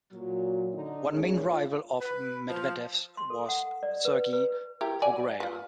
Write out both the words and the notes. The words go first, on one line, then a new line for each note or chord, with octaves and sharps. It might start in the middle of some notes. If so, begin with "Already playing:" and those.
One main rival of Medvedev's was Sergi Bruguera.
A#2 F#3
D3 D#4
A#2 G#3 A3 C#4 G#4 C#5
F4
B4
F3
C6
A4
F#5
D5
B4
B4
E4 G4 A#4
F#3 D5 G#5
F4 B4